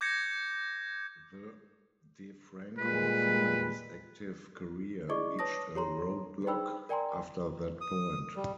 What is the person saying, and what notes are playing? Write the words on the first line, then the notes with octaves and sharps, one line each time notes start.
The DeFranco Family's active career reached a roadblock after that point.
D6 G6 G#6 A#6 C#7
A#2 G3 G#3 B4
E4 G#4 D5 D#5 C#6 D6
B4 C#5 A5 D#6 A#6
G4 C#5 A#5 C6
D#4 G#4 C5 G5 B5 E6
A#4 D5 G5 G#5 A#5 C6
D#6
G3